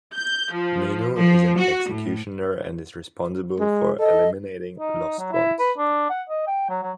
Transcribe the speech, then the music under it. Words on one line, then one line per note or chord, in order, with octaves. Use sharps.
Menou is an Executioner and is responsible for eliminating Lost Ones.
G6
F3
F3
F#4
A2
G#3
A4 D#5
D#4
F#3
E4
B4
D4
F#5
D#5
G5
F#3
F#3